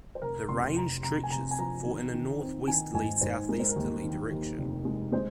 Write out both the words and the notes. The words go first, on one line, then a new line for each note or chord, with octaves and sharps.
The range stretches for in a northwest-southeasterly direction.
C5
F1 A#4
F1 C6
F1 A#5
F1 A#5
G#5
C3 A#5
G#5
F3 A#5
D#3
D#3
C4
D#3 G#5
G#2 G#5
G#2 C5
G#3 A#4
C5
A#4
D#2
D#3
D#2
F1
G#3
G#3 C5